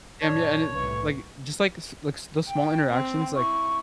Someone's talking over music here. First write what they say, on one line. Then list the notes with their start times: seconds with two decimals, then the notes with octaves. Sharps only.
Damn, yeah, and it like, just like s like, the small interactions, like,
0.22 F#2 A#2 D#3 D4 C#5 A5
0.74 C2 A2 E3 C#6
2.48 G5
2.89 C4
3.36 E4 C#6